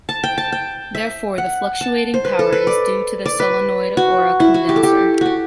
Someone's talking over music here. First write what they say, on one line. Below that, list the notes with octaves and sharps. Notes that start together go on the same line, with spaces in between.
Therefore, the fluctuating power is due to a solenoid or a condenser.
A5
G5
A5
G5
E5
F#5
A5
C5
B4
A4
B4
D5
D5
B4
F#4
E4
F#4
G4
A4
G4
F#4 G4